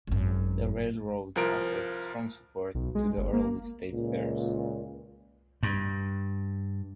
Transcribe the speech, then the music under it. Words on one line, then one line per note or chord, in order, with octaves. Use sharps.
The railroads offered strong support to the early State Fairs.
G#1 F#2
C2 F3 A#4 D7
B1
G#3
G1
A#3
C#2 A#2
G2